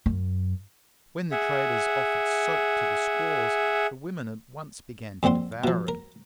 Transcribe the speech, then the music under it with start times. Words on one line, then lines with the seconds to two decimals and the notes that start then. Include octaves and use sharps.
When the traders offered soap to the squaws, the women at once began to devour it.
0.06 F#2
1.32 G#4 E5 F#5
5.23 F2 A#2 C4 F#5 C6
5.64 B2 F3
5.88 A#4